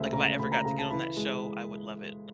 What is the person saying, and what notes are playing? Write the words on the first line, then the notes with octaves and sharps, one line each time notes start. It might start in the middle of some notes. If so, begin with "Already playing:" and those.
like, if I ever got to get on that show, I would love it.
Already playing: D2 C#3 G#3 E5
C#3 A#5
D2 B5
A#5
C#3 A#5
A5
E3 B5
G#3